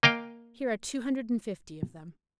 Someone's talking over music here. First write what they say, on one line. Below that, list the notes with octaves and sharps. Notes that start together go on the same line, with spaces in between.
"Here are two hundred and fifty of them."
A#3 D#5 F5 G5